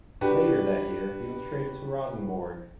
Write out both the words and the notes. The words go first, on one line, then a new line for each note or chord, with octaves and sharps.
Later that year he was traded to Rosenborg.
D4 F#4 G4 B4